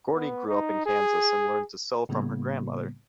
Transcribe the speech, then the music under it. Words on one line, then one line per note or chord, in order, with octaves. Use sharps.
Gordy grew up in Kansas and learned to sew from her grandmother.
B3
D#4
G#4
A2 C#3 G3 A#3 B3